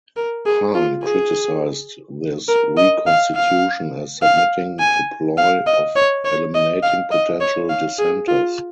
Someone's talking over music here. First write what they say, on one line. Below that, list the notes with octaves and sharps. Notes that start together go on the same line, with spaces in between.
Hahn criticized this reconstitution as submitting to ploy of eliminating potential dissenters.
A#4
G#4
F4
G#4
A#4
D#5
F5
F5
F5
G#5
F5
D#5
C#5
C#5
D#5
F5
D#5
C#5
F5
G#4
F4